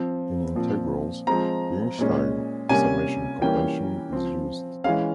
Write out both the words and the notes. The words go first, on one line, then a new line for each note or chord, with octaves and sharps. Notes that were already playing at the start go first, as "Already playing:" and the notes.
In integrals, the Einstein summation convention is used.
Already playing: F3 C4
A#2 F3 C4
F3 G#3 C4 A#5
A#2 G#3 C#4
C3 G3 A#3 C#4 G#5
E3 G3 A#3 C#4 G5
F3 C4
E3 G#3 C#4 F5